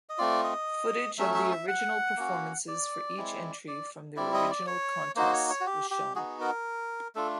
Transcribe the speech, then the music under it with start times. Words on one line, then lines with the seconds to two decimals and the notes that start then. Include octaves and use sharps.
Footage of the original performances for each entry from their original Contests was shown.
0.09 D#5
0.18 A3 C4 F4 D5
0.44 D#5
1.18 F#3 A3 C#4 E5
1.34 E5
1.51 E5
1.68 F#5
2.17 A#3 C#4 F#4
2.68 D5
3.17 G#3 C4 E4
3.68 D5
4.16 G3 C4 E4 D5
4.34 D#5
4.51 D5
4.67 C#5
5.16 A#3 D#4 F#4 C5
5.33 C#5
5.50 C#5
5.60 F#4
5.67 G4
5.91 G4
6.15 B3 D#4 F#4 G#4
6.41 A#4
7.15 A3 D4 F4 A4